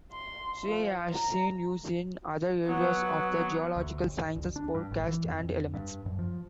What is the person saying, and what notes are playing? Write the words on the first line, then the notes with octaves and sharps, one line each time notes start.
Cl has seen use in other areas of the geological sciences, forecasts, and elements.
C6
F3
A#5
F#3 B3
D2
G1
D2
D4
G2
A1
E3
F2
F2
G2
F#2
F3